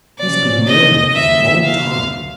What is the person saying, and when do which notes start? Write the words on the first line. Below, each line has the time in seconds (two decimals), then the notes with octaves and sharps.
"He's been learning for a long time."
0.19 C3 F3 A#3 C#4 D5
0.67 D#5
1.15 D3 F#3 A#3 E5
1.64 F5